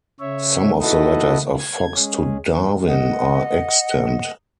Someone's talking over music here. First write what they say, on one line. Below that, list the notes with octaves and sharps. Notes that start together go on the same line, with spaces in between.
Some of the letters of Fox to Darwin are extant.
C#3 C#5 E5
D#4 E4 F#4 A4 B4 D#5
G#6
G#3 C#4 G#4
D#5 F#5